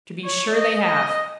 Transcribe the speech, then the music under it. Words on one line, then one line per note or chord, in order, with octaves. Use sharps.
"To be sure they have."
C#5
D#5
D#5